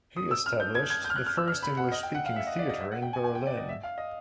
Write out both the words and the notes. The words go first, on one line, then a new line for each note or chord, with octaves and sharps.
He established the first English-speaking theater in Berlin.
D#6
E6
F6
G6
G#6
G#6
G6
F6
F#6
F6
E6
F6
B5
F#5
D#5
G5
F#5
F5
E5
D#5
D5
D#5
E5
F#5
G5
G#5
G#5
G5
D5
D#5
E5
F5
D#5